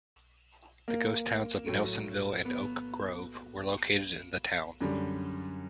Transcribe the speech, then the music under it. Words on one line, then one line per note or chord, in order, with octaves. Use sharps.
The ghost towns of Nelsonville and Oak Grove were located in the town.
A#3
A2 F#3 A3
B3
F#2 D3 G3